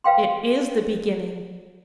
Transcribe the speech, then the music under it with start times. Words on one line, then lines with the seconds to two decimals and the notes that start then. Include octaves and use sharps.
It is the beginning!
0.04 B4 F5 G5 C6